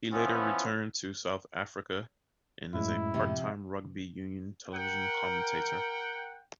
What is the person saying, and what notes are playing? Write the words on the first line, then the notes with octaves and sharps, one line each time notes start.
He later returned to South Africa, and is a part-time rugby union television commentator.
E3 F3 B3 C#4
F#2 A2 G#3 E4
C3 F3
A#4 F#5 G5